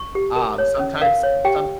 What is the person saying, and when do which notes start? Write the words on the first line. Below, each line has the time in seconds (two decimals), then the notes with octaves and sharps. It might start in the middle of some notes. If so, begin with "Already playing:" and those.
um, sometimes some
Already playing: C#6
0.15 G4
0.36 A#4
0.58 C#5
0.79 C#4
1.01 A#4 F5
1.23 C#5
1.45 G4 G5